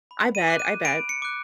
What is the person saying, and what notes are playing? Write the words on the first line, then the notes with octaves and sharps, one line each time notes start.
I bet, I bet.
B5
D#7
D6 F#6
D#7
B5 D7
C#7
D6 F#6